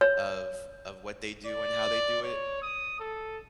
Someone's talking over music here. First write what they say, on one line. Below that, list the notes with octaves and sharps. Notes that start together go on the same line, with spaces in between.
of of what they do and how they do it,
C#5
D5
C#5
D#6
A4